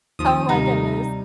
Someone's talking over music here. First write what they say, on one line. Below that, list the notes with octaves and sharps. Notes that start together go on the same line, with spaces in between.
oh my goodness.
D#2 F3 D#6
C3 G3 D#4